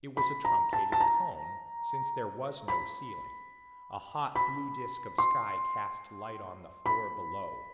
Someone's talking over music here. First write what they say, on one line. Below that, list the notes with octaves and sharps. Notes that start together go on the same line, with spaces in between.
It was a truncated cone, since there was no ceiling; a hot blue disk of sky cast light on the floor below.
B5
A#5
A5
A5
A#5
B5
B5
C6
B5